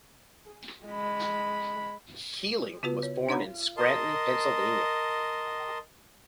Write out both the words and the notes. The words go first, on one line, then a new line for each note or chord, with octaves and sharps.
Keeling was born in Scranton, Pennsylvania.
G#3 B5
C#3 B3 F4 F#4 B4
C#5
D4 D#4 C#5 F#5 A#5 B5
A#4 D#5 A5 C6